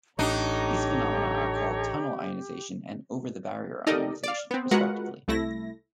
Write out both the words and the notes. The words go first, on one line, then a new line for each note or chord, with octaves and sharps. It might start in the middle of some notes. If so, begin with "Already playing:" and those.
These phenomena are called tunnel ionization and over-the-barrier ionization, respectively.
A1 D4 D#4 G4 A4 C#5 A#5
D#4 G4 A4 A#4 D5 D#5
D5 F5
B3 C4
G#3 F4 F#4 A#4 B4 F#5
C2 A3 E4 A#6